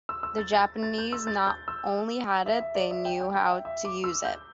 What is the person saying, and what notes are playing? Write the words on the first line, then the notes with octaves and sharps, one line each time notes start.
The Japanese not only had it, they knew how to use it.
E6
E6
A6
A6
A6
G6
E6
A6
G6
E6
E5
E5
D5
E5
G5
G5
G5
E5
E5
D6
E6
G6